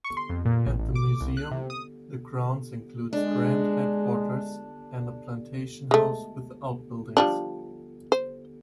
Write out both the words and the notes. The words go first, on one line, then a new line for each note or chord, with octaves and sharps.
At the museum, the grounds include Grant's headquarters, and a plantation house with outbuildings.
C#6
C6
F2
A#2
A1
A1
D6
C2
F#6
C3
D#6
G#3 D4
G#3 A3
F3 G3 D4
C5